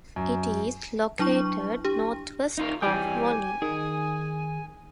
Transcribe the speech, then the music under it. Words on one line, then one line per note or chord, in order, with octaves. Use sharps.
It is located northwest of Volin.
F#2
F#3 D4 E4 C#6
D4 G4
D#4 F4 A#4
E3 G3 G5 G#5 D6
D#3 G#4